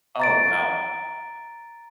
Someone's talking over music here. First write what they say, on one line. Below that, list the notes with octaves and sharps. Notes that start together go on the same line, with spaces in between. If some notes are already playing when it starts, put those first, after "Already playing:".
Oh, wow.
A#5 A6 D7